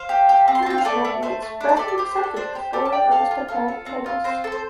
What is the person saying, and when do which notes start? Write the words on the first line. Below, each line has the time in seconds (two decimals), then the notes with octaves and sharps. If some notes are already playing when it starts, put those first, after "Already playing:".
Polish "magnates" readily accepted the foreign aristocratic titles.
Already playing: C5 F5
0.09 G4
0.29 G4
0.48 C4
0.55 C6
0.62 A5
0.66 C4 G5
0.78 F5
0.85 A3 A4 D5
1.05 A3
1.23 A3 C5
1.42 A3
1.61 D4 D5
1.69 C5
1.77 G4 A4 D5
1.88 D5
1.98 G4 C5
2.11 C5
2.17 D4
2.23 A4
2.36 D4 C5
2.55 G4 C5
2.73 G4 A4 D5
2.85 A5
2.92 G4 D5 G5
3.11 A4 F5 A5
3.31 F4
3.48 F4 A4
3.68 A4
3.86 C4
4.06 F4
4.24 C4 C5
4.44 A4
4.52 C5